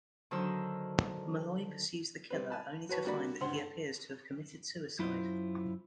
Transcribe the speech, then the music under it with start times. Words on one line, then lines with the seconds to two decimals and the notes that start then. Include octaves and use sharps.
Malloy pursues the killer only to find that he appears to have committed suicide.
0.31 D3 D#3 F#3 D#4 C5 E6
2.30 G3 C4 B4
2.50 G#5 A5 B5
2.89 F#4 B4 C#5 A5 C#6
3.05 G3 A#3 D4 F#4 D5 B5
3.41 C#2 G2 C5 F#5 C6
3.57 A4
4.99 F#2 E4 F4 C5